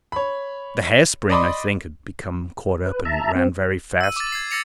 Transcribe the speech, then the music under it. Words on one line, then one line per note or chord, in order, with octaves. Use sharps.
The hair spring, I think, had become caught up and it ran very fast.
C#5 B5
D5 D#5 B5 C6 D6
B4
E5 A5 A#5
C4
E6 D#7
D6 A6
G#6 C7
E6 A6 A#6 C#7 F7